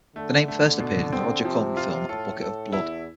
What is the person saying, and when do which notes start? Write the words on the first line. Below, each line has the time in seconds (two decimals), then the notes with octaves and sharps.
The name first appeared in the Roger Corman film "A Bucket of Blood".
0.16 D3 A3
0.48 A3
0.80 B2
1.13 C4
1.45 C3 F3
1.77 F4
2.09 A2 A4
2.41 A4
2.73 E2 E4